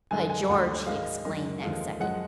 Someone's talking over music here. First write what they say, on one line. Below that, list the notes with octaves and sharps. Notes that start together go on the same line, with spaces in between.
"By George!" he exclaimed, next second.
F#2 D3 G#3 G#5
G#5
D2 D3 F#3 F#5
G#2 D#3 G#3 F5
F#2 D#3 G#3 D#5
D#2 D3 F3 G#3 F5
F#2 F3 G#3 F#5